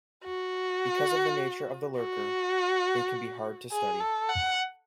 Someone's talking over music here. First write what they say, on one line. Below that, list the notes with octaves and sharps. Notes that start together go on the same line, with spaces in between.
Because of the nature of the lurker, they can be hard to study.
F#4
F#4
G#4
A4
F#5